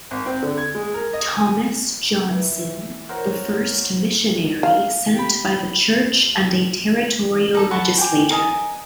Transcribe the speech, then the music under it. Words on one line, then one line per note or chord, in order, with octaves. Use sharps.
Thomas Johnson, the first missionary sent by the church and a territorial legislator.
G#1
C4
D3
G#6
G#3
A#4
D#5
G#5
E3
F#4 A#4 C5 C#5
F5
G4 B5
D#4 A4
E4 F#5 A5 C#6
G5 G#5 D6
A#4 D#5 G#5